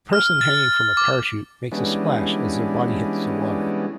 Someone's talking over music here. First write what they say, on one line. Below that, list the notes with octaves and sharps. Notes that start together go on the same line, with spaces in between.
A person hanging from a parachute makes a splash as their body hits the water.
F6
A6
D6
E3 G3 G#3 B3 C#4 D4